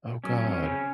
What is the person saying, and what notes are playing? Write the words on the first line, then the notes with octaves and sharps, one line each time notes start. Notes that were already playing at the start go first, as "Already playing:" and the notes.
Oh god.
F#3 C#4
C#4
C4
C#4
C#3 C#4